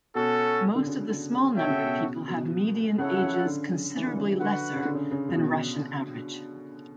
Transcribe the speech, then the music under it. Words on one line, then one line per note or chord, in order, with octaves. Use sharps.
Most of the small numbered people have median ages considerably lesser than Russian average.
B2 C#4 F#4 A4
D3
C#3
D3
C#3
B2 F#4 A4 C#5 E5 G5
C#3
B2
B2
C#3 E4 A4 C#5 F#5
C#3
D3
C#3
E3
D3
C#3
D3 F#4 B4 F#5
C#3
D3
C#3
C#3
C#3
B2